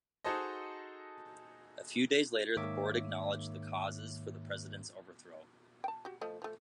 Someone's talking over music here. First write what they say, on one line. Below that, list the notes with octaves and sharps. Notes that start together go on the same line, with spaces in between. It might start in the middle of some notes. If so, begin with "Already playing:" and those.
A few days later, the Board acknowledged the causes for the President's overthrow.
D#4 F#4 G#4 A4 C5 D#5
G#2 D#3 A#3 C#5 E5 D6
G5 A5
F#4 G4
F3 A3 D#5
F3 A3